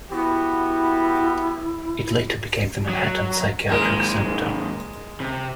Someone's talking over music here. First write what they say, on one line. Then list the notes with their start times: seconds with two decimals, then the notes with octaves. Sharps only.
It later became the Manhattan Psychiatric Center.
0.10 B3 E4 F#4 G4
2.89 F#3
3.69 D#2 G#2 G#3 A#4
5.20 C3